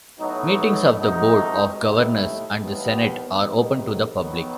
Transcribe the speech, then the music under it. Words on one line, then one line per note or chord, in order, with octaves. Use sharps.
Meetings of the Board of Governors and the Senate are open to the public.
A2 F#3 B3 D#4
C3 D#3 A3 D#4 F#4
D#2 D#3 A3 E4
D#2 D#3 G3 B3
C3 D#3 F#3 B3 D#4
D#3 F#3 B3